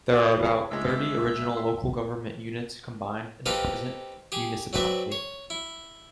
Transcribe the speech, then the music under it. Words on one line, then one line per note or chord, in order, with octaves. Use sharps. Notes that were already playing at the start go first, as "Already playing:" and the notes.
There are about thirty original local government units combined in the present municipality.
F#4 D6
G#4 B4
C#2 G#3 E5
C6
C4 D#4 G4 A4 B4 F5
G4 G#4
F#3 C4 B4 D5 E5
C#5
E4